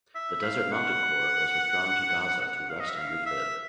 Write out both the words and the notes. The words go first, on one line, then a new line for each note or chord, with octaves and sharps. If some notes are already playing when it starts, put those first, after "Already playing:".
The Desert Mounted Corps was withdrawn to Gaza to rest and refit.
E5
F5
F#5
F#5
F5
D#5
E5
F5
E5